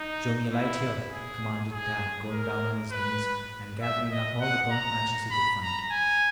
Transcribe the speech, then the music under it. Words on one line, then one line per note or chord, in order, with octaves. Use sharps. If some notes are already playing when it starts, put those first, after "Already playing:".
"Show me a light here," commanded Tad going down on his knees and gathering up all the burnt matches he could find.
Already playing: D#4
E4
G#4
G#4
A#4
B4
E5
D#5
F#5
A#5
B5
A#5
G#5